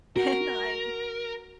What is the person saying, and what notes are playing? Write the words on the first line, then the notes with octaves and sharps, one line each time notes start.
and I
F#4 A#4